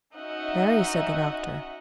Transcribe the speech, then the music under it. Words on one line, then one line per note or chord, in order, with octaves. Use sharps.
"Very," said the doctor.
C#4 D#4 F#4 D#5 E5 F#5